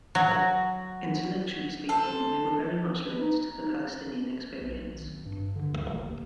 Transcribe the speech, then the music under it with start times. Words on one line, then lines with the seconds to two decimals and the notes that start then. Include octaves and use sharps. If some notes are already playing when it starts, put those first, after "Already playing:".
Intellectually speaking, we were very much linked to the Palestinian experience.
0.15 F#3 F#4
1.89 A4 C5
3.04 B4
3.20 D#4
4.61 B1
4.92 G#1
5.25 G2
5.55 D3
5.72 D2
5.91 F#1
6.05 D#2